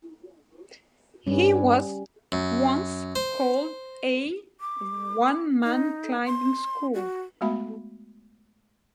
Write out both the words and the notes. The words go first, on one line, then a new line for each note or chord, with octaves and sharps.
He was once called A one man climbing school.
G2 G3 C#4
F#2
C5
D6
D#4
C6
F#4
G#3 A3 B3 F#4 E5 B5